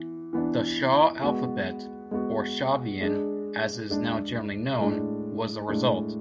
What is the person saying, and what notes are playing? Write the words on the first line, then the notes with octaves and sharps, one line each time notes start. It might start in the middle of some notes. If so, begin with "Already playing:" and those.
The "Shaw Alphabet" or "Shavian", as it is now generally known, was the result.
Already playing: E3 B3
E3 B3 D4
G#3 B3 F#4
G#3 B3 F#4
G#3 D4 G#4
G#3 D4 G#4
A2 G#3 D4
A2 G#3 D4